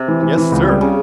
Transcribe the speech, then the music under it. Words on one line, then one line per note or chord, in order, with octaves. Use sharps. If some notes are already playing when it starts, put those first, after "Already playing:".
"Yes, sir!"
Already playing: C3
E3
E3
E3
C#2
G3
C#3